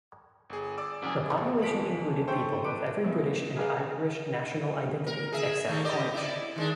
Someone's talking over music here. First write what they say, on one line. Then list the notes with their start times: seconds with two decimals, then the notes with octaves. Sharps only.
The population included people of every British and Irish national identity except Cornish.
0.50 G1 G#4
0.78 D5 D6 E6
1.03 F#2 G#4
1.40 A#1 E2 B2
1.62 D#1 F2 G#3 B6 D7 F#7
2.28 A4 C5 G5 C#6
2.64 D4 B4 D6 D7
3.04 E2 E4
3.56 G#4 A#4 B4 D5 F5
5.06 A#4
5.32 G#4 E5
5.67 D#3 A3 A#3
5.84 G4 D5 D#5
6.14 E4 D5
6.56 D#3 G#3 D4